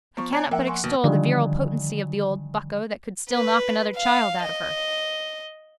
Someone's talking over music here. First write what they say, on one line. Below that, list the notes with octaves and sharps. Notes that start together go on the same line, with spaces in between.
I cannot but extol the virile potency of the old bucko that could still knock another child out of her.
F3 B3 C#6
C#5 D5 G#5 A#5
F3 A#3 A#4 E5 F#5 G5
G#5 C6 C#6
D#2 B2
D3 D#3 F3 G3
B4
F5
D#5